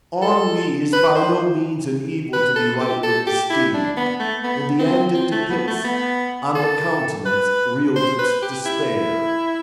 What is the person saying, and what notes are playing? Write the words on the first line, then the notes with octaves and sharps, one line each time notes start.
Ennui is by no means an evil to be lightly esteemed; in the end it depicts on the countenance real despair.
A4
B4
C5
B4
A4
G4
A4
G4
E4
D4
B3
A3
B3
C4
C4
A3
B3
A3
B3
A4
B4
C5
B4
G4
E4